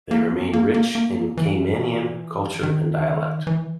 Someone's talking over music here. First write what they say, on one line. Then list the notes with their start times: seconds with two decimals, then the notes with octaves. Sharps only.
They remain rich in Caymanian culture and dialect.
0.11 A#3
0.32 B3
0.53 A#3
0.74 A#3
0.95 A#3
1.37 E3
2.63 D#3
3.47 E3